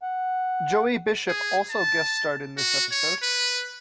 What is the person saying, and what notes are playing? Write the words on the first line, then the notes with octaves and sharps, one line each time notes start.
Joey Bishop also guest starred in this episode.
F#5
G#4
A5
F#4
C#5
B4